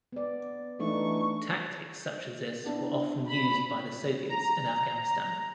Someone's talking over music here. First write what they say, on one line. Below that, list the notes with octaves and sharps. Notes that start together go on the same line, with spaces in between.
Tactics such as this were often used by the Soviets in Afghanistan.
B3 D5
E3 A3 D4 D#4 C#6
B3 D4 E4
B5
A#5